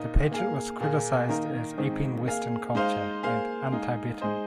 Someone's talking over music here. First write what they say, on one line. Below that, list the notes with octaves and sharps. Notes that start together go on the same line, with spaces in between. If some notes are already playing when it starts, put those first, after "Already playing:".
The pageant was criticized as "aping western culture" and "un-Tibetan".
Already playing: A#2 A#3 D#4
A#3 G#4 F5
A#2 A#3 G#4
D#3 A#3 D#4 A#4
G#2 D#3 G#3 C4 D#4
A#3 G#4 F5
G#3 D#4 C5 F5
A#3 G#4 C5 F5
G#3 D#4 G#4 F5
G#3 D#4 G#4 C5 D#5